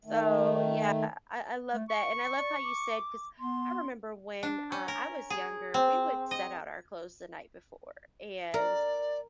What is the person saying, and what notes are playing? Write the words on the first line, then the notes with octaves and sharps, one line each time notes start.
So, yeah, I I love that. And I love how you said, 'cause I remember when, uh, I was younger, we would set out our clothes the night before. And,
D#3 A3
A3
C#6
D5
D6
B3 C6
D4
C#4
A#4
G#4
C4
D#5
A#4 D5